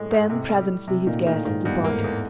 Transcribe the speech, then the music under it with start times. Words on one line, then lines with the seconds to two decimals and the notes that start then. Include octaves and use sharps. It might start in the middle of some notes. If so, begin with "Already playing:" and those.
Then presently his guests departed.
Already playing: A2 G#3
0.11 G#2
0.30 C3
0.49 G3
0.69 G3
0.88 C3
1.07 A#2 D#3
1.26 A2 D#3
1.45 G#2 D#3
1.65 E2 G2
1.84 G#2 A#3
1.92 A2
1.99 G#2
2.04 E2